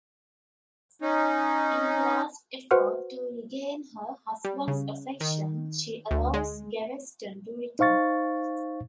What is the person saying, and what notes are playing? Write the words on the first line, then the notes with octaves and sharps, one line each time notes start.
In a last effort to regain her husband's affection, she allows Gaveston to return.
C#4 D#4
F#4 B4 C5 F#5 C6 F6
G3
C#3
D#3
D2
G#3
D#4 C5 F5 C#6 A6